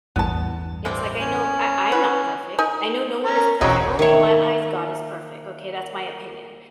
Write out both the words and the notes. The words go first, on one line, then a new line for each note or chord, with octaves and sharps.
it's like, I know I I'm not perfect. I know no one is perfect. Only in my eyes, God is perfect. Okay, that's my opinion,
A1 E2 G2 B3 A5
C3 E3 C4 C5 D5
C#4
F#4 B4
D#4 G#5
C#4 A#4
E1 F3 C4 C#4 D#4 F#4 C#5 A#5
D#3 A#3 C#5 E5 C#6